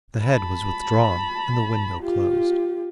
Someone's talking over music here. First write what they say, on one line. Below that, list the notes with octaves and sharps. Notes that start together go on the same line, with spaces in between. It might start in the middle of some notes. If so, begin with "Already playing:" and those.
The head was withdrawn and the window closed.
A5 B5
F4 G4